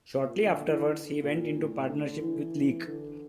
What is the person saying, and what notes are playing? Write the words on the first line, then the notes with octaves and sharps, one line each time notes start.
Shortly afterwards he went into partnership with Leake.
A#2
D3
E3
D3
A#2
A2
D3
E3
D3